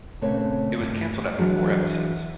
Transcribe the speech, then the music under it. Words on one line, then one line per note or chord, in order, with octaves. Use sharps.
It was cancelled after four episodes.
A#2 C#3 A3 C4 B4 C#5
G2
E3 F#3 G#3 D4